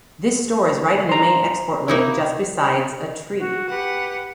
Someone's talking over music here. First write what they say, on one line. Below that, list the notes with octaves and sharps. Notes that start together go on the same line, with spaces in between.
This store is right in the main export lane just besides a tree.
C5 A#5
A#3 D#4 E4
F#4
G4 B4 F#5